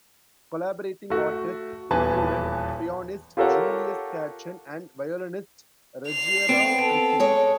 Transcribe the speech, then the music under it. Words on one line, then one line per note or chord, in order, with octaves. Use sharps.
Collaborating artists included pianist Julius Katchen and violinist Ruggiero Ricci.
A3 F#4
D#1 E2 E3 B4 G#5 A5
F4 G4 A4 A#4 C#5 F#5
C7 F7
B3 C4
A4
G#3 C#5